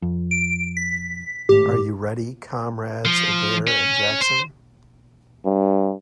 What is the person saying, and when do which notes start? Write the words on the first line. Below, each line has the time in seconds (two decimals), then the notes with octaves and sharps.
Are you ready, Comrades Adair and Jackson?
0.02 F2
0.31 D7
0.77 B6
1.49 G#1 A2 G4
3.05 F3
3.67 C#4
4.21 C5
5.45 G2